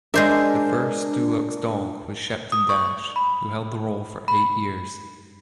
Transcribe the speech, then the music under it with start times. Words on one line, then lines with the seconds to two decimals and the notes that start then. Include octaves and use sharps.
The first Dulux dog was Shepton Dash, who held the role for eight years.
0.14 G#3 D4 A#4 C5 E5
2.52 D#6
2.69 C#6
3.16 B5
4.28 B5